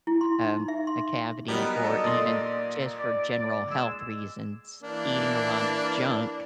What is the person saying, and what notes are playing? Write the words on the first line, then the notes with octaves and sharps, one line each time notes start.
um, a cavity, or even just for general health reasons. Eating a lot of junk
E4
C6
D#4
E5
C6
F#3 G3 B3 D#4 G4 A#4
A4 D5 D#5
A#2 C6
D5
G#3 G#4 E6
E3 A#3 D4